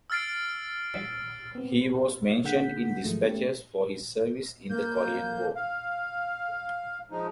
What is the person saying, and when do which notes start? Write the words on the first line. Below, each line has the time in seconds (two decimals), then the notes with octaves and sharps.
He was mentioned in dispatches for his service in the Korean War.
0.10 E6 F6 A6 C7 D7
1.55 B3 C4
2.44 D3 A#3 G#4 F#5 G6 B6
3.04 G#2 D#3 F3 F#3 G#3 A3
3.23 A3 B3 C#4 G4
4.70 A#3 G6
5.55 F5
7.11 F3 G#3 D#4